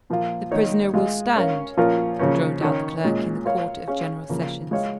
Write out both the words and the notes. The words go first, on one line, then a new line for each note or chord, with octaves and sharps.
"The prisoner will stand," droned out the clerk in the Court of General Sessions.
A#2 F3 A#3 F4
D#3 A#3 D#4 C#5
G#3 F4 G#4
C#4 A#4 F5
A#2 F3 C#4 F4 A#4
C#3 F3 A#3 C#4
D#3 C#4 A#4
A#2 G#3 C#4
A#3 F4 C#5 F5
C#4 G#4 F5
C#3 F3 A#3
G#3 F4 C#5 F5